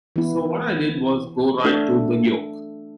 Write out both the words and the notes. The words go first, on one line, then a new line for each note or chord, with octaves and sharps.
So what I did was go right to the 'yoke'.
E3 B3 E4
A3 D4 F#4 A4